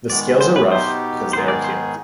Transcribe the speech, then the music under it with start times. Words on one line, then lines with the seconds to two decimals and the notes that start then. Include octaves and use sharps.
The scales are rough because they are keeled.
0.10 D#3 G#3 B3 D5
0.41 C5
0.56 B4
0.72 B2 B3 D#4 G4 C5
1.33 G#2 D#3 B3 D#4 G#4 C5
1.48 D5
1.64 C5